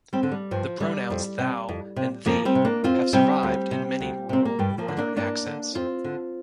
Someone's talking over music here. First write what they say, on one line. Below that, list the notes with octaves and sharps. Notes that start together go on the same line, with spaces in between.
The pronouns "thou" and "thee" have survived in many rural Northern accents.
G3 C4
D3
G3
G2 F3
D3 G3
F2
C3
F2
C3
F2 F3 A#3
G3 C4
C3
A#3 D4
F2 C4 F4
C3 G3 C4
D2
C3
D2
C3 C4
A#3
G2 G3
F3 A#3
D3
A#3 D4
G2 A#3 D4
D3
F2 C4 F4
D3